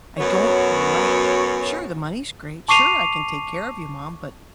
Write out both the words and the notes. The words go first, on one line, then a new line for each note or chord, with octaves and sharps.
I don't like sure, the money's great, sure, I can take care of you, mom, but,
F#2 F#3 B3 C#5
A5 C#6 D6 C7 D#7 F7